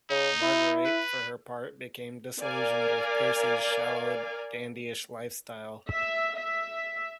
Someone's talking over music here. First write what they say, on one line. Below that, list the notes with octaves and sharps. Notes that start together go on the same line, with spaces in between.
Marguerite, for her part, became disillusioned with Percy's shallow, dandyish lifestyle.
C#3 D#4
E4
B4
A#4 D5 F5 G#5
E5
E5